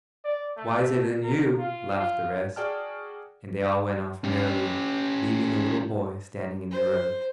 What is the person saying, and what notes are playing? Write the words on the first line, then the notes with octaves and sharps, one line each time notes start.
"Wiser than you," laughed the rest; and they all went off merrily, leaving the little boy standing in the road.
D5
A3
A#4
F4
F4
F#4 G#4 D5 G5 A5 F6
C#4 G4
C5